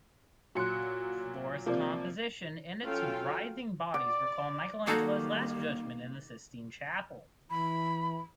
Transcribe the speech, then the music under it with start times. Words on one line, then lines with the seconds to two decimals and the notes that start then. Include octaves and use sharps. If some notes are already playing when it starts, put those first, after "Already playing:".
Floris composition and its writhing bodies recall Michelangelo’s Last Judgement in the Sistine Chapel.
0.55 A#2 F#3 F#4 C6 F#6 C#7
1.66 C3 F3 A#3 F4 D5
2.82 F#3 C#4 F4 A4 F5 G5
3.94 D5 D6
4.87 D#3 G3 A#3 D#4 F#4 A4
7.50 E3 B5